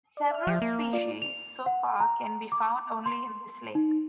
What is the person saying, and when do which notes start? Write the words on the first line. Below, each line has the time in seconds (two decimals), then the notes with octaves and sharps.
Several species so far can be found only in this lake.
0.17 D5
0.31 E5 F6
0.47 F3
0.62 A#3
0.93 F4 D5
1.22 F7
1.66 F#5
2.00 A#5
2.52 D6
3.06 C6
3.75 D#4